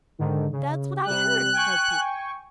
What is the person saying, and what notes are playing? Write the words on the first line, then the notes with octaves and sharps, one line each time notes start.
"That's what I heard," cried Peter.
G#2 D3 D#3
C#3
C3 G3 F#6
G5 G#5 C#6